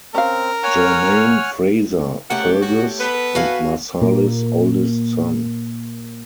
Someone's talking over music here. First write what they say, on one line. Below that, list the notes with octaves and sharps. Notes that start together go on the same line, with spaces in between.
Germain Fraser - Fergus and Marsali's oldest son.
C4 C#4 A#4 F5
C#5 F#5 G#5 F6
C#3 A3 G4 A#4 C#5 F#5
F#4
B3 A4 B4
F#4 F5 G#5
A#2 A#3